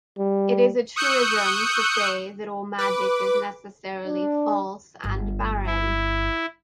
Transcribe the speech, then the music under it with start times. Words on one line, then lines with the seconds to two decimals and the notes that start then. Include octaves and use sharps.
It is a truism to say that all magic is necessarily false and barren.
0.18 G3
0.96 C#6 D#6 E6 F#6 G6 C#7
2.78 B4 D6
4.06 D4
5.04 G1
5.67 E4